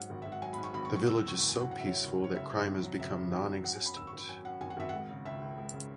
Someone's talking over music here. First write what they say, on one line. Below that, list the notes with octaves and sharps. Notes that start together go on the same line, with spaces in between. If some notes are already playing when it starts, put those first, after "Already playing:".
The village is so peaceful that crime has become nonexistent.
Already playing: G#2 F#3 F#5
G#1
G#1 E5
F#5
F#3 G#5
B5
G#2
C#6
G#1 B5
C#6
G#1
C#6
C#3 E6
E6
E2
C#6
F#1 C#6
G#5
F#3
F#5
C#3 F#5
E5
E2 C#5
E5
F#1
F#3
C#5
C#3 E5
F#2
G#1
F#3
C#3 E5
F#2
G#1
F#3
F#3 F#5
G#5
F#2
B5
G#1 E6
C#6
G#1
B5
F#3 G#5
F#2 F#5
G#1 G#5
F#5
G#1 E5
G#3 F#5
C#3
C#2 E5
C#2
G#3
C#3